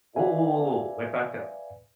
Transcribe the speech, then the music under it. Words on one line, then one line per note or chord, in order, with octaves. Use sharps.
Whoa, whoa, whoa, whoa, wait, back up.
B4 D5 E5 F5 G#5